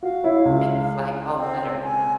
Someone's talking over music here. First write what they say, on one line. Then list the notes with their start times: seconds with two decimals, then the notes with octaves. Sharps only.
make the flight all the better, you know?
0.03 F#4 F5
0.24 E4 C#5
0.45 C#2
1.36 C4
1.83 G#5